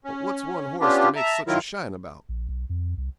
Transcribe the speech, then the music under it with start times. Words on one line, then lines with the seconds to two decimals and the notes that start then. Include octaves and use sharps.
But what's one horse to make such a shine about?'
0.04 C#4
0.81 B3 C#4 D4 F4 G4
1.16 E5 A5 A#5
1.47 D#3 F#3 E4 F4 A#4
2.29 A#1
2.49 B1
2.69 F2
2.97 C2